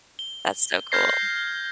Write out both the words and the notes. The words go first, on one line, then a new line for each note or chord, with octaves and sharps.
That's so cool.
G7
F6 G6 G#6 A#6 C7